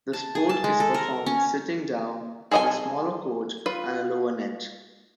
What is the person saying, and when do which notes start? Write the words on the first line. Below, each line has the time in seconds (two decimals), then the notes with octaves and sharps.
The sport is performed sitting down, on a smaller court and a lower net.
0.13 A5
0.35 G#4
0.49 A5
0.64 G#3
0.80 A4
0.94 A#4
1.26 C#4
2.51 G#4 A4 D#5 E5 G#5
3.66 F4 B4